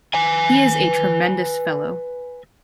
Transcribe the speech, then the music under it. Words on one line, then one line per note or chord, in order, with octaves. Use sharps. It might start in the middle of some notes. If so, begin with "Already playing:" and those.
He is a tremendous fellow.
B4 G#5